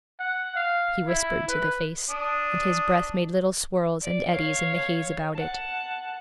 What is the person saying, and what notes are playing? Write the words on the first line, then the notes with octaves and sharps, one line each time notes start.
He whispered to the face, and his breath made little swirls and eddies in the haze about it.
F#5
F5
E4
B4
D4 D#6
D5
C#5 F5
F#5 A5